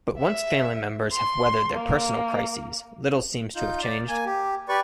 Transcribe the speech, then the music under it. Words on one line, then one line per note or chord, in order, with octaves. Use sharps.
But once family members have weathered their personal crises, little seems to have changed.
E5
C6
A#3
D#4 F4 G6
D5
A#3 G#5
G4
G4 B4 D5 C#6